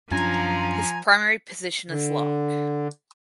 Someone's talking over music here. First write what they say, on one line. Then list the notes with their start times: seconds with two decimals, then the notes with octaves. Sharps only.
His primary position is lock.
0.11 F#2 F3 C#4 D4 F4 G#5 A#5
1.90 D3